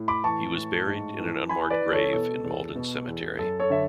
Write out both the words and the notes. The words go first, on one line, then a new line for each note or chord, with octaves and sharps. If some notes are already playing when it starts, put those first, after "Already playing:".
He was buried in an unmarked grave in Maldon cemetery.
Already playing: A2
B5 D6
E3 A5 C#6
A2
G#2
E3
E3 G#5 B5
B4 D5
E3
A4 C#5
B2 A4
E2
B2
E2
F#2 A4
A4 C#5
D3 E5